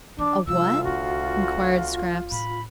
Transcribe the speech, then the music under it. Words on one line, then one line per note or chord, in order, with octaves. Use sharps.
"A what?" inquired Scraps.
E3 D4 D6
D2 C3 G3 F4 E6
C2 D4 F#4
A2 B5